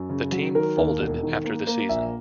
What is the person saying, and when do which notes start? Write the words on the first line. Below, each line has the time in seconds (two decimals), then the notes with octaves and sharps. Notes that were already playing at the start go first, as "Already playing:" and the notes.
The team folded after the season.
Already playing: F#2
0.09 C#3
0.32 F#3
0.55 D#3 A#4
0.77 D#2
0.99 E1
1.23 D#3
1.45 A#3
1.67 A#3
1.89 A#1 E5